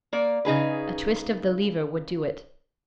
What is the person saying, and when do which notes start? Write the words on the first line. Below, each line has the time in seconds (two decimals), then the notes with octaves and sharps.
A twist of the lever would do it.
0.13 A#3 D5
0.45 C#3 D#4 G#4 B4